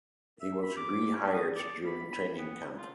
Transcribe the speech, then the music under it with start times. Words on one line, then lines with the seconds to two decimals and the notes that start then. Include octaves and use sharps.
He was re-hired during training camp.
0.41 E5
0.62 B5
0.77 D6
1.16 C#4
1.34 D#6
1.55 D5
1.86 B5
2.11 B5
2.39 B3
2.78 F4